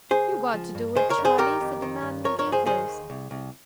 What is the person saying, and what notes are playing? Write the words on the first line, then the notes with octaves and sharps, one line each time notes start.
"You got to do it, Charlie," said the man in gaiters.
C#2 G#4 C5
C#2
F3
G2
D#3 G#4 C5
A#4 C#5
G2
G#4 C5
D#3 G4 A#4
F2
D#3
G2
F3 A#4 C#5
A#4 C#5
G2
G#4 C5
D#3 G#4 C5
D#2
C2
C2